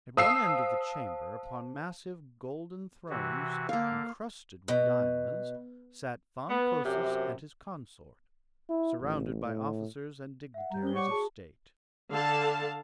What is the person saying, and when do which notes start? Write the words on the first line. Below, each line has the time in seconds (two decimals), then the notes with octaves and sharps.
At one end of the chamber, upon massive golden thrones encrusted with diamonds, sat Than Kosis and his consort, surrounded by officers and dignitaries of state.
0.17 C5 F5 A5 D#6 E6 C7
3.09 C3 E3 F#4
3.69 D3 A#3 F5
4.68 B2
6.50 B3
6.85 F#2 C3
8.69 E4
9.01 A1
9.44 A2
10.54 E5 F#5
10.71 G3 A#5 G6
10.83 C#4 C5 D#6 G7
10.96 C#5 D5 F#5 C#6 D6
11.10 F#4 G#4 A5
12.11 D3 A4 F5 A5